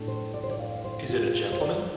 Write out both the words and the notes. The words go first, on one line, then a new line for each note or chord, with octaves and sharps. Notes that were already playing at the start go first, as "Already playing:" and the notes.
Is it a gentleman?
Already playing: A2 A3 D4
C5
D5
C5
D5
F5
C5
F4
F4
C5
D5